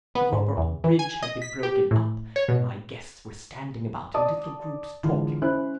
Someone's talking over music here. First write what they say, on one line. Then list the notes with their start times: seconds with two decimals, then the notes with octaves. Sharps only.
The rubber of bridge had been broken up and my guests were standing about in little groups talking.
0.15 B3
0.33 G#2
0.57 E2
0.84 E3
0.99 G#5
1.23 D#5
1.42 B6
1.63 G4
1.91 A2
2.36 C#5
2.48 B2
4.14 D5 A5 D#6
5.03 D3 E3 G#3 F4
5.41 C#4 E4 C5 F#6